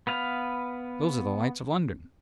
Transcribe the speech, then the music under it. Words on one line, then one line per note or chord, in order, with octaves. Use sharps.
Those are the lights of London.'
B3 B4 F5